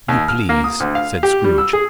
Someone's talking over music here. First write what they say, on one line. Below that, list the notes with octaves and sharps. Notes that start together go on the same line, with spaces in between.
"If you please," said Scrooge.
D#2
F6
A#3
D#6
D2
F5
G4
G3
E6
G#4